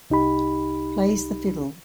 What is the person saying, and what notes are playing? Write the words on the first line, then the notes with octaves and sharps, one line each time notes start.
Plays the fiddle.
C2 D#4 G4 B5